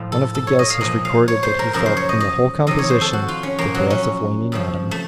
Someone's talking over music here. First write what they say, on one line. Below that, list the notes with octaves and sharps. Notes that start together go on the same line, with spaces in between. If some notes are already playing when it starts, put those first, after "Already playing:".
One of the guests has recorded that he felt in the whole composition the breath of waning autumn.
Already playing: A2 F3 F4
A4
A4
C#5
D#5
F5
A#2 F3 D#5
F5
C#5
C5
A#4
F#2 C#3 F3 A#4
C5
C#5
D#5
D#5
F2 C3 D#3 D#5
C#5
C5
A4
F#4
F4
C#4
A#2 F3 A#3
F#3
C#4
F2 C#3 F3
A3